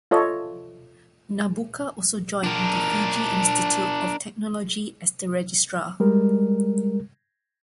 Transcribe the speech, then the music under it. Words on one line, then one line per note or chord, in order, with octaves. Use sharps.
Nabuka also joined the Fiji Institute of Technology as the Registrar.
F4 A4 C#5 D#5
D4 A#4
G3 G#3 A#4